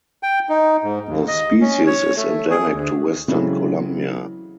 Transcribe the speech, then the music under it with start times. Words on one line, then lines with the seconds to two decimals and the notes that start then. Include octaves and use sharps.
The species is endemic to western Colombia.
0.23 G5
0.49 D#4
0.84 G#2
1.09 D#2
1.28 D#5
1.61 C#4
1.86 C#5
2.16 A3
2.50 G#4
2.72 D2
3.28 C#3 E3 F#3 G#3 A3 C4